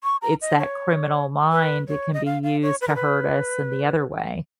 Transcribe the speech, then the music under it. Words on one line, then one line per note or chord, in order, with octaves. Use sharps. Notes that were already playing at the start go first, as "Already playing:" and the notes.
it's that criminal mind, it can be used to hurt us in the other way.
C#6
A#5
D#5
C#5
B4
C#5
D#5
F5
F5
C#5
B4
A#4
B4